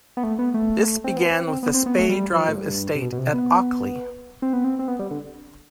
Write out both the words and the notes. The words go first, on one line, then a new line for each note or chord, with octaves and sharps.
This began with the Spey Drive Estate, at Auckley.
B3
A3
B3
A3
C4
B3
C4
C4
B3
C4
B3
A3
G3
F3
A2
G2
C3
B2
B2
C3
B3
C4
B3
C4
C4
B3
G3
D3